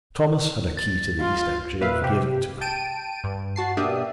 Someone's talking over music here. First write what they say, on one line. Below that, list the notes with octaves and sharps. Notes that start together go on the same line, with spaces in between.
Thomas had a key to the east entry, and gave it to her.
A6
F4
A#2 B4 E5 F5
C3 G4
G5 A5 D7 D#7
G2
F#4 A5 C7
B2 A#3 D4 G4 E5 D#6